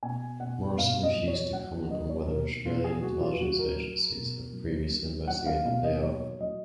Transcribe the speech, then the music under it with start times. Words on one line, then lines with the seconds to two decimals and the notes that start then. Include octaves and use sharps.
Morrison refused to comment on whether Australian intelligence agencies have previously investigated Liu.
0.03 B2 G#5
0.40 B2 F#5
0.77 B2 F5
1.03 D#5
1.15 F#3
1.28 C#5
1.52 F#3 F#5
1.72 F#5
1.90 F#3 D#5
2.10 C#5
2.27 B2 A#4
2.65 B2 F4
2.84 G#4
3.03 F#3 F#4
3.21 F4
3.40 F#3 F#4
3.59 A#4
3.78 F#3
4.15 B2
4.53 F#3
4.90 F#3
5.27 F#3 F#5
5.46 F5
5.65 B2 F5
5.84 D#5
6.02 F#3 C#5
6.40 F#3 D#5